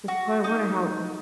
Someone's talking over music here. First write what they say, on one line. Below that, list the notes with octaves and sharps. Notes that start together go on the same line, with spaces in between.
That's why I wonder how ooh,
F#4
D#4